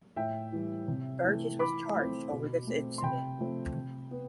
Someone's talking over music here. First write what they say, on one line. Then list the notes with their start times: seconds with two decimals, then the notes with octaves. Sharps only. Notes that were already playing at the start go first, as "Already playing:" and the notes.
Burges was charged over this incident.
0.16 A2 E5 G5
0.52 E3 G3
0.88 C3
1.24 E3 A3
1.59 E3 B5 D6
1.95 A3 C4
2.32 B2
2.67 A3 C4
2.98 C6
3.03 C3 G5 B5
3.39 F3 A3 C4
3.74 C3
4.11 B3